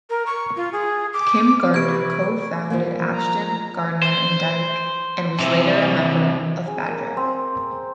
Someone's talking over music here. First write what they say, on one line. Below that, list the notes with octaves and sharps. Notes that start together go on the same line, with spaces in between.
Kim Gardner co-formed Ashton, Gardner and Dyke and was later a member of Badger.
A#4
C#6
F4
G#4
D6
C3 B4 C#6 G#6 D7
F3 G3 A#3
A#5
C5
C3 E3
G#4
A#3
C4